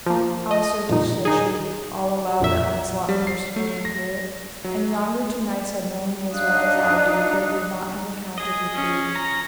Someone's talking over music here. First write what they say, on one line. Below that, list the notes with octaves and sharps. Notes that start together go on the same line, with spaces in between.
Ah certes, said she, all aloud that Launcelot and Percivale might hear it: An yonder two knights had known thee as well as I do they would not have encountered with thee.
F3 A#3
D#5
F2 A#2 D#3
D#3 D#4 G#4
A#1 F2 A#2 E5
G3
C7
A3
A#6
F#3
D4 D#4 F5 D#6 F#6
G#4 D#5
C#4
A#5